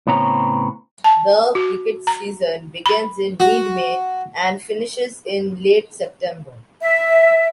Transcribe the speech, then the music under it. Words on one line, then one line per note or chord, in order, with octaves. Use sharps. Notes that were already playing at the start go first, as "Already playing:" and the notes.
The cricket season begins in mid May and finishes in late September.
A2 C#3 B3 C4 C#5 A#5
A5
F#4
A#5
B5
F#4
E5